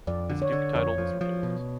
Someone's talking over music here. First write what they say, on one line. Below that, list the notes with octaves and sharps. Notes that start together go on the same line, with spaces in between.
His duke title was removed.
F2 D5
D3
C#5
D3
F2 C#5
F3
F3
B2